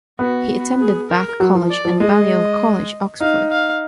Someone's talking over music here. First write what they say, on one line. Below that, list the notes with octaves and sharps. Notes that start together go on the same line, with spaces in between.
He attended Bath College and Balliol College, Oxford.
B3 F#4
G#4
A#4
F#3
F3
D5
F3
G#3 D#5
D#4 F5
F5